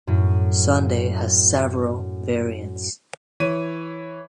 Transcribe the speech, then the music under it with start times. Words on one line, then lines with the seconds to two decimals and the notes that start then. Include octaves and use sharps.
Sunday has several variants.
0.07 F#2 A2
3.40 E3 C#5 D#7